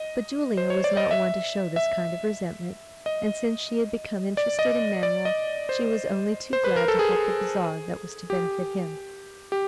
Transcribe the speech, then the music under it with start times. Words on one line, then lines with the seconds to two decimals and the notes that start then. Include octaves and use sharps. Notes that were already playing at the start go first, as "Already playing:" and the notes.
But Julia was not one to show this kind of resentment, and since she had become interested in Manuel she was only too glad to help the Bazaar that was to benefit him.
Already playing: D#5
0.57 C5
0.70 C#5
0.84 D5
0.97 D#5
1.11 E5
1.76 E5
3.06 D#5
4.37 D5
4.59 D#5
5.03 D5
5.25 D#5
5.69 C5
6.53 C5
6.64 B4
6.76 A#4
6.88 A4
6.99 G#4
8.30 G4
9.52 G4